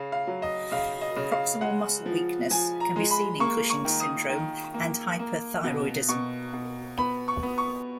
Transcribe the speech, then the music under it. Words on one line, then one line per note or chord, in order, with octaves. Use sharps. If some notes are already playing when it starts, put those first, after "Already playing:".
Proximal muscle weakness can be seen in Cushing's syndrome and hyperthyroidism.
Already playing: C#3 F5
F5
F#3
D#5
C#3 F5
D#5
C#3
F5
G#3 F#5
F3
F3 G#5
A#5
G#3
B5
A#3 C#6
C#6
D#3
D#6
D#3
A#3
A#3
B2
B2 C#6
B2
B3 B5
C#6
B3
C#6